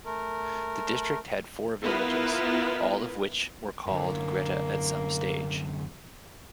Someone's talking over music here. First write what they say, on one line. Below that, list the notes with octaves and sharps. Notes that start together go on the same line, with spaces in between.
The district had four villages, all of which were called Greta at some stage.
A3 A#4
B3 E4 F4 A#4 B4
F#2 D3 A#3